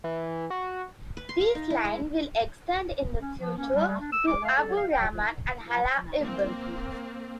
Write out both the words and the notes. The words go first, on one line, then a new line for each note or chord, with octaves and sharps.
This line will extend in the future to Abu Ramad and Hala'ib.
E3
F#4
B4
C6
F5
D#4
E4
G#3
C#4
F3
C#4
G3
G3
D4
E6
D6
F5
A4
F5
G5
A#3 C4